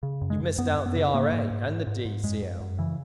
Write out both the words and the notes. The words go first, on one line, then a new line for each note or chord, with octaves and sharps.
"You've missed out the R.A., and the D.C.L."
C#3
F#2
G#3
F#2
F#2 B3
F#2
B3
C#3
G#2 A#3
G#2
G#2
G#2
G#2
G#2
F#2 G#3
F#2
F#2
C#3 E3